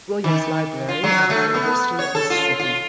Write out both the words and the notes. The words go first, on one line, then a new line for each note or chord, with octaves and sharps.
Williams Library of the University of Mississippi.
D#3
F4
F#3
A3
B3
C#5
A4
F4
F4